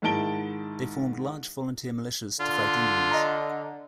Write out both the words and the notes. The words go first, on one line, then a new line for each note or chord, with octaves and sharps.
They formed large volunteer militias to fight Indians.
G#2 D#3 E4 A5 D7 G7
D3 F4
D#5 A#5